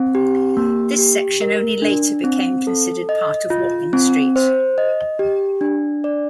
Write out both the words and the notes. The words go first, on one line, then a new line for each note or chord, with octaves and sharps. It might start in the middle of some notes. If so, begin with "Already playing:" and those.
This section only later became considered part of Watling Street.
Already playing: C4
G4
A#3
G4
A#4
D4
C4
A4
D#5
F4
C4
C5
D#5
G4
D4
D5